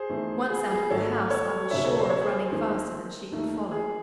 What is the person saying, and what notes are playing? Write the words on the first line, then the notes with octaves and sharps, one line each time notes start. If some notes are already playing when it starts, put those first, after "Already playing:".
Once out of the house, I was sure of running faster than she could follow.
Already playing: G#4 C5
E2 D#3 A3
G#4
G#4
G#1 G#2 D#3 F#3 A3 A4 C#5
A4 C#5
E1 D#2 C#3 F#3 C#5 E5
A4 C#5
C5
C#5
G#4 C5
D#2 D#3 G#3
D#2 D#3 A3
G#4